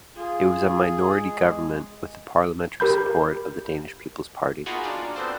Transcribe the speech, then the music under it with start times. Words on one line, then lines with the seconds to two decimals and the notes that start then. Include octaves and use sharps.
It was a minority government with the parliamentary support of the Danish People's Party.
0.16 F4 G#4
1.19 G#3
2.80 G4 A#4 B5 G6
4.66 A#3 B3 D#4 F4 F#4 G#4
4.84 D4 F4 D5
5.16 B3 C4 D4 A4 C5